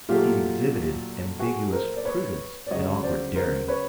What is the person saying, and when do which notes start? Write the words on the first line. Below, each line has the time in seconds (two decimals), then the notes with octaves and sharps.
He exhibited ambiguous prudence and awkward daring.
0.09 A#2 F#3 A3 F4 G4
1.39 F#4 G#4
1.73 A#4 C5
1.96 D5
2.05 B4 C#5
2.66 D5
2.71 D2 C#3 F#3 C#5 D#5
3.03 C5 D5
3.36 A#4 C5
3.68 B4 C#5